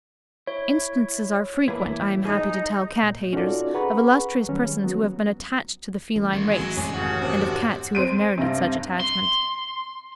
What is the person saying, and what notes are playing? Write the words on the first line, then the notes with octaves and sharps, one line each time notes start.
Instances are frequent, I am happy to tell Cat-haters, of illustrious persons who have been attached to the feline race, and of Cats who have merited such attachment.
E4 C#5
A2 E3 A#3 E4 B4
D#4 G#4
A#2
C#4 D#4 F4 F#4 A4 D5
G#4 B4 F#5 A#5 B5 C#6
D#3 F#3 G3 C#4
F#3 B3 F#4
A1
D#3 G#3
F#3 G#3 E4
F#2 C3 G#3 C#4
D#2 C#3 F#4
D#2 C3 D4
C4 D7 D#7
G2 C3
C6